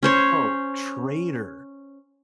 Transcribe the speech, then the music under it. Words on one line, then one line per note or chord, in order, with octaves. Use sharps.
Oh, traitor.
C#4 C5 C#5